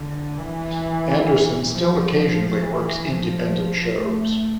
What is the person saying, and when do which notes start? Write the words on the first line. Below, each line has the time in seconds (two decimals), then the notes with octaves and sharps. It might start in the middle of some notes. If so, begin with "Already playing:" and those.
Anderson still occasionally works independent shows.
Already playing: D3
0.38 E3
1.73 F3
2.61 E3
3.07 F3
3.96 A3